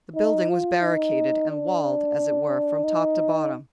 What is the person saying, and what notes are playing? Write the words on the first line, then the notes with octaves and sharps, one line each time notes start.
The building was barricaded, and walled, as it were, from top to bottom.
D#4
F4
D#4
D4
D#4